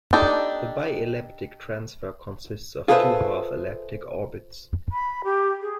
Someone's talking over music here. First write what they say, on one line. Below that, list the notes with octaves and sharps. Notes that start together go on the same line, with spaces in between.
The bi-elliptic transfer consists of two half elliptic orbits.
D4 D#4 G4 A4
F4 G#4 A4 B4 C5 E5
B5
G4
G#4